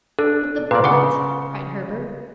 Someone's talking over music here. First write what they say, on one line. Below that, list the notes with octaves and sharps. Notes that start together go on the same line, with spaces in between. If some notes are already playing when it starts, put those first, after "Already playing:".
"But the bullet," cried Herbert.
D4 A4
A#2 A#3 B4 D5
C#3 F#5 C6 D6